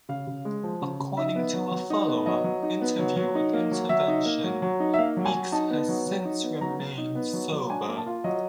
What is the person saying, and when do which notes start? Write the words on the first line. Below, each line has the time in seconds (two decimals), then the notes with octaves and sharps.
According to a follow-up interview with "Intervention", Meeks has since remained sober.
0.09 C#3 F5
0.27 C#3
0.45 G#3
0.63 F3
0.82 C#3
1.00 C#3
1.17 D#4 E5
1.36 B3
1.53 F#3
1.72 F#3
1.90 D#4
2.08 B3
2.26 F#3 D#5
2.44 F#3
2.63 D#4
2.81 B3
2.99 F#3
3.16 F#3
3.35 D#4
3.53 A#3
3.71 F#3
3.89 F#3 E5
4.08 D#4
4.26 A#3
4.44 F#3
4.62 F#3
4.80 D#4
4.94 E5
4.98 A#3 F5
5.17 F#3
5.25 G#5
5.34 F#3
5.52 D#4 A5
5.70 B3
5.88 F#3
6.07 F#3
6.25 D#4
6.43 B3
6.61 F#3 A#5
6.80 F#3
6.98 D#4
7.15 B3
7.33 F#3
7.52 F#3
7.70 D4 G#5
7.88 A#3
7.97 A5
8.06 F4
8.24 F#3 D#5